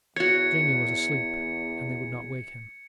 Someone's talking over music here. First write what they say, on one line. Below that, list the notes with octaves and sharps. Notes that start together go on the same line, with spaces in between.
Jamie was asleep, and they would not wake him.
E2 F#4 C#5 G#6 C#7